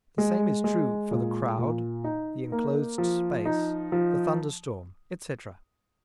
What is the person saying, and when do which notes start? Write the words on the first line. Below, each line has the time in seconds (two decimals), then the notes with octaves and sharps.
The same is true for the crowd, the enclosed space, the thunder-storm, etc.
0.18 G#3
0.64 G#3
1.11 A#2
1.58 A#2
2.04 D#4
2.52 A#3
2.98 F3
3.45 D#4
3.92 F3